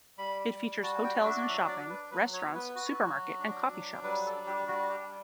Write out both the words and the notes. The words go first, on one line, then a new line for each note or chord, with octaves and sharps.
It features hotels and shopping, restaurants, supermarket, and coffee shops.
G3 B5
G3
F#4 A5
G5
D4
E5
D5
F#3 E5
D5
D4
B4
F#3 B4
C#5
B3
B4
F#4
F#3
D4
F#3
G3 B4
A4
D4
G4
G3 F#4
G4
G3